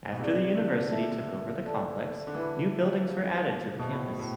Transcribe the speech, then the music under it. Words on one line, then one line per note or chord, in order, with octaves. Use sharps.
After the university took over the complex, new buildings were added to the campus.
B2
C3 E4 G#4 D5
D3
A4 E5 A5
A4 D5 A5
D3
E3 E4 G#4 B4 E5 B5
G#4 C5 F5
B2 F4 G#4 C5 E5 A5
A2
A2